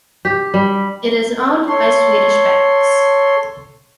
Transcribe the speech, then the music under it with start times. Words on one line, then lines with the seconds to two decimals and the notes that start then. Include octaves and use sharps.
It is owned by Swedish banks.
0.25 G4
0.54 G3
1.68 A4 C#5 C6